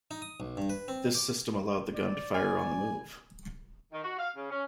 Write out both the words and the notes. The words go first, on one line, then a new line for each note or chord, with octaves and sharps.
This system allowed the gun to fire on the move.
D#4
D#6
B1
G2
B4
C4
D6
D5
G#5
D#3
F#4
F5
C#3
C#4